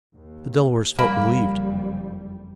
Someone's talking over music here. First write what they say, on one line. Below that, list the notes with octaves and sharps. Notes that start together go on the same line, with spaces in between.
The Delawares felt relieved.
D#2
F#1 F2 G3 A#3 B5